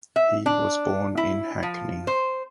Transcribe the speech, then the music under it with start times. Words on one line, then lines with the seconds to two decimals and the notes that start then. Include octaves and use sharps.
He was born in Hackney.
0.16 E5
0.46 D4
1.17 E4
1.63 F3
2.07 C5